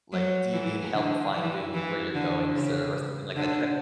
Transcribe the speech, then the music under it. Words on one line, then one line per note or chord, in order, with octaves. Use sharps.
like, "Do you need help finding where you're going, sir?" or something like that try
F#3
E3
D3
E3
E3
D3
C#3
D3